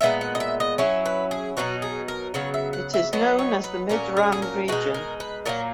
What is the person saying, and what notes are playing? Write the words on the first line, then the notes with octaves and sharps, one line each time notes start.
It is known as the Midrand region.
A#2 G#3 B3 D#4 E5
F#5
D#5
E5
D#5
F#3 C#4 E4 C#5
B4
G#4
B2 F#3 B3 D#4 F#4
G#4
A#4
C#3 F#3 B3 C#5
E5
F#5
E5
F#3 B3 D#4 D#5
C#5
B4
A#2 F#3 C#4 A#4
G#4
G#4
A#4
B2 G#3 D#4 F#4
A#4
B4
A#2 F#3 A#3 A#4